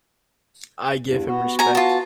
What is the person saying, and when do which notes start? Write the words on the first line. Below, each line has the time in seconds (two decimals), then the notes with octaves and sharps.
I give him respect.
1.05 E2 G2
1.27 B3 F#4
1.59 G#5 A#5
1.75 F4 A5